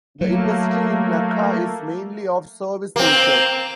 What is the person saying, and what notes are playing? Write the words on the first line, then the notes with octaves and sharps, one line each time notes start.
The industry in Nacka is mainly of service nature.
F#3 A3 A#3
A#3 C4